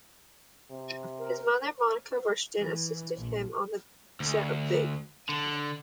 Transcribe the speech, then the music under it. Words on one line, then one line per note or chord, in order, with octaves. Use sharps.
His mother, Monica Rushton, assisted him on the set of "Big".
C3
A#4
E3
A#1
D2
D3